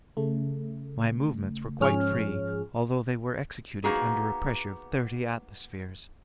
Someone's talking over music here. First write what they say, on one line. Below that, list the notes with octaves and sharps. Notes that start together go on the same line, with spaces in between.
My movements were quite free, although they were executed under a pressure of thirty atmospheres.
C#3 A3
G#2 F3 C#4 G#4 C#5 F6
A#3 B3 D#4 F#4 G#4